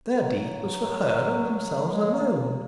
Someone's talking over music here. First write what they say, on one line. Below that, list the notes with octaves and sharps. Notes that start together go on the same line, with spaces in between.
Their deed was for her and themselves alone.
F#3
G#3
A#3